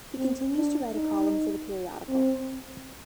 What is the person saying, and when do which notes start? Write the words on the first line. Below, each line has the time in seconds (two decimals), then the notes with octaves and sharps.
He continues to write a column for the periodical.
0.18 C4
0.55 D4
0.94 D#4
2.09 C4